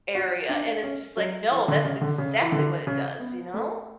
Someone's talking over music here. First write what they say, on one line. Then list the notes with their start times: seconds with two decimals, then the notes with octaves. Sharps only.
area, and it's just, like, no, that's exactly what it does, you know?
0.15 F#4
0.49 D4
0.83 C#4
1.17 F#3
1.51 E3
1.68 D3
1.85 C#3
2.01 D3
2.18 C#3
2.41 E3
2.52 D3
2.87 C#3
3.20 B3
3.54 A3